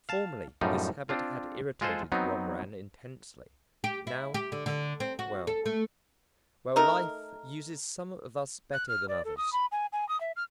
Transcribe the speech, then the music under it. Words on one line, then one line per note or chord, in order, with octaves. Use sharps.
Formerly this habit had irritated Romarin intensely; now ... well, well, Life uses some of us better than others.
F5 A5
F#2 A2 F3 G3 D#4
C4 D4 F4
G#3 F4 G#4 A4 C5
F#3 B3 C4 D#4
G4
E4
G4
D3
D3
C4
F#4
A4
A3
A3 D#4 A#4
F#6
F6
D5
A4
D#6
B5
G#5
G#5
D#6
E5
F6